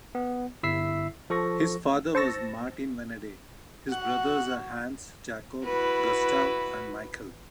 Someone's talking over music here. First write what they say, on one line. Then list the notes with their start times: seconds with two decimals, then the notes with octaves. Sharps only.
His father was Martin Venedey, his brothers are Hans, Jakob, Gustav and Michael.
0.15 B3
0.63 G1 E4 E5 E6 B6 C7
1.30 F3 A4 C#6 A#6
2.15 C5 A5 C#6 E6 A#6
3.92 F#4 F#5
5.64 E4 F#4 B4